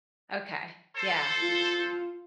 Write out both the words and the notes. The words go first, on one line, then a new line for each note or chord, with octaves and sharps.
Okay. Yeah.
A4 C5
F4